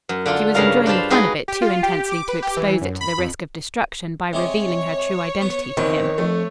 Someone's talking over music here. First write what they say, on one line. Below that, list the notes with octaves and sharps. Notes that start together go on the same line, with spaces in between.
She was enjoying the fun of it too intensely to expose it to the risk of destruction by revealing her true identity to him.
F#2
D3 D4 F4
G2 C#3 A#4 F5
D4 F4 C5 F5 A5 B5
G#3 D#4 F#4 G#4 B4
G4
F4
G4
D6
B4
G4
E3
F#2
B5
F2
C3 G#3 C#5 D6
B3
E2 D#3 C4 B4
F2 A3